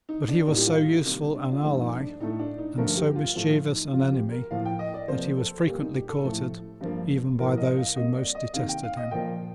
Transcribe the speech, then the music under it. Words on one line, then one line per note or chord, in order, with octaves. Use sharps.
But he was so useful an ally, and so mischievous an enemy that he was frequently courted even by those who most detested him.
D#4
D4
A2 G3 A#3 D#4
G4
F4
D#4
C3 D#3 G3 A#3 D#4
D4
F4
G2 F3 A3 D#4
D#4
D4
A2 A3 D#4
D4
D#4
G2 D3 F3 A3 A#4
G4
F4
A2 F3 A3 F4
D#4
F2 C3 F3 F4
G4
A#4
A2 F3 A#3 F5
G5
D#5
D5
C3 F3 A#3 C5
A4
A#2 G3 A#3 G4
D#4
G4
A4
A2 F3 A3
G2 F3 A#3
A2 F3 A#3 A#4
D#5
F5
C3 G3 A#3 D#5
D5
D#5
C3 D#3 A#3 F5
G5
F5
D#5
A#2 F3 A#3 G5